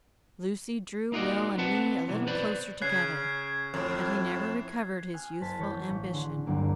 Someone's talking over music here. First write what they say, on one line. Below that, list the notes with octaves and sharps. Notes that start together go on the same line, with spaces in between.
Lucy drew Will and me a little closer together, but he never recovered his youthful ambition.
A#3 D#4 F4 F#4 D5
C4 B4 F#5 A5
B1 C3 E3
B4 C5 D5 B5
C#3 F#6 G#6 C7
F2 A2
G#5 D#6 F6 F#6
F#1 G#4 C5 A5 A6 B6
E3 C#5 G6
A1
D3 G#4 C6
F#1 D2 G2 A#3